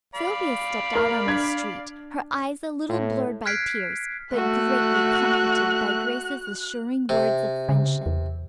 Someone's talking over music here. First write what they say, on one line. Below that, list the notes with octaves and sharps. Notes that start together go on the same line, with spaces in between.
Sylvia stepped out on the street, her eyes a little blurred by tears, but greatly comforted by Grace's assuring words of friendship.
D5 F5 B5
A#4 F6
D4 G#6 B6
A2
F6 F#6 G#6 B6 C7 D7
A3 F#4 F#6
C3
C#3
E2